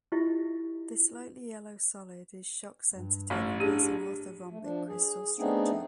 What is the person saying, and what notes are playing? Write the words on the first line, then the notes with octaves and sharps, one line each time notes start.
This slightly yellow solid is shock sensitive and has an orthorhombic crystal structure.
E4 F4 G4 D#5 E5
G2
A1 A2
D4 G4 G#4
A3
F3 D4
G#4
A3 B3 C4 D4 D#4 G#4